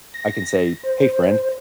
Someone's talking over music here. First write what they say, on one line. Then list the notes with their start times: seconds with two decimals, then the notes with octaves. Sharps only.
I can say, "Hey friend,
0.14 A#6
0.83 C5